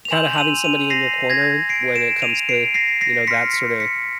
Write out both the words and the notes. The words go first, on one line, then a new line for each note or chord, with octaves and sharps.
Kinda having somebody in your corner when it comes to, you know, that sorta
F7
G#5 C6 E6 G6 E7 F#7
F#7
D#7 F7
D#7 F7
A#6 C7
G#6 A#6
C7 D7
D7 E7
D#7 F7
C7 D7
A#6 C7
A#6 C7
C6 F6 B6 C#7
B6 C#7
B6 C#7